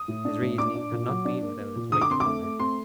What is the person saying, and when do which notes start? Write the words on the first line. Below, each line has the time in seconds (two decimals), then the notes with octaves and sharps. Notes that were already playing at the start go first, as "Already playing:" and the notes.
His reasoning had not been without its weight upon her.
Already playing: D#6
0.08 A2
0.25 D4
0.41 A2
0.58 D4 D6
0.75 D4
0.92 A#2
1.08 F#3
1.25 D4
1.42 A#3
1.59 A#3
1.76 A#2
1.92 D3 D#6
2.01 D6
2.09 C4 C6
2.20 D6
2.26 A3
2.43 A3
2.59 C4 C6